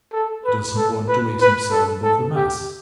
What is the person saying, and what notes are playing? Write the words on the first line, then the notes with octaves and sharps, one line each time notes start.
He does not want to raise himself above the mass.
A4
B4
A4
B4
B4
A4
A4
G4